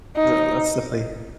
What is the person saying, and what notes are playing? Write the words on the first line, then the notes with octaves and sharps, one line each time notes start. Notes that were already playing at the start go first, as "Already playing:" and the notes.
Ugh, that's definitely
D#4